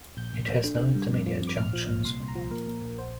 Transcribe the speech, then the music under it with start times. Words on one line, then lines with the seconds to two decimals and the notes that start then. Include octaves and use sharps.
It has no intermediate junctions.
0.17 A#1 G6
0.33 A#1
0.49 A#1
0.64 D3
0.79 D3
0.95 G2
1.10 F2
1.26 F3
1.41 F2
1.47 D6
1.58 A#1 F6
1.73 F3
1.88 A#2
2.04 C2 C6
2.20 C2
2.28 A#5
2.35 F3
2.51 A#2 A#4
2.67 A#2
2.82 A#1
2.98 C5